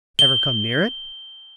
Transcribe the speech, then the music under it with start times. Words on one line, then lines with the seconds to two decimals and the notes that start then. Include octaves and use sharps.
"Ever come near it?"
0.19 G7